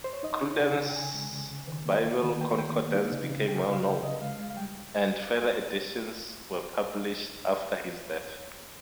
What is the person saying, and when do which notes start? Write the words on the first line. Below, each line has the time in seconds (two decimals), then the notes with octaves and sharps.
Cruden's Bible Concordance became well-known, and further editions were published after his death.
0.04 C5
0.13 C#5
0.23 D#4 D#5
0.42 D#4 C#5
0.59 C#3 G5
0.77 C#3 G5
0.89 G5
0.96 C#3 G#5
1.14 G#3
1.32 C#3
1.51 C#3
1.68 D#3
1.86 A#3
2.05 A#3
2.23 D#3
2.41 A#3 G5
2.58 D#3 G5
2.76 A#3
2.95 D#4
3.12 C#3
3.30 C#3
3.48 C#3 G5
3.67 C#3 F5
3.85 C#3 G5
4.02 C#3 D#5
4.21 G#3 F5
4.39 G#3
4.50 F5
4.57 G3 G5